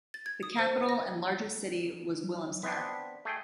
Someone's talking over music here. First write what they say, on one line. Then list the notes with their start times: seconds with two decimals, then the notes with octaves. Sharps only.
The capital and largest city was Willemstad.
0.14 A6
0.26 G#6
0.43 D#6
0.59 C5
0.89 A#6
2.23 F#3
2.63 B3 C4 D4 B6
3.25 A3 G#4 G5